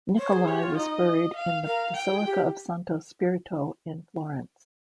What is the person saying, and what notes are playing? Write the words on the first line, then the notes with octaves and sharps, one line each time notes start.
Niccoli was buried in the Basilica of Santo Spirito in Florence.
C5 C#5
G#4
G4 C#5
F4
D#4 D#5
F5
A#4 F5
G5
G#4
F4
G4